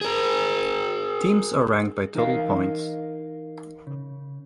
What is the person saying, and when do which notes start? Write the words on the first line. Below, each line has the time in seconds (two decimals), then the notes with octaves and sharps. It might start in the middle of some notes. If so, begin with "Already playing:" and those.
Teams are ranked by total points.
0.01 G#4 A#4
2.15 E3 D#4 A#4 B4 D#5 F5
3.87 C#3